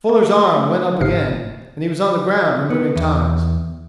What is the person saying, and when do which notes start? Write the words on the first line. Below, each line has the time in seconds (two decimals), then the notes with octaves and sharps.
Fuller's arms went up again, and he was on the ground removing ties.
0.09 A3
0.56 A3
1.01 G1 G#2 C3 F6 C7
2.70 B3
2.96 E2